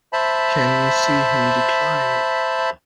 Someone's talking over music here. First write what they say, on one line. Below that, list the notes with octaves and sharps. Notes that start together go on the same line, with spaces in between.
Can you see him declining?
C5 E5 A5 B5